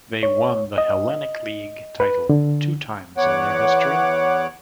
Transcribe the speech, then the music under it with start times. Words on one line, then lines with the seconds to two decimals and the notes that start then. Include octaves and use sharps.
They won the Hellenic League title two times in their history.
0.23 C#5
0.78 D#5
2.00 B4
2.30 D3
3.17 E2 B3 C#5 F#5 D6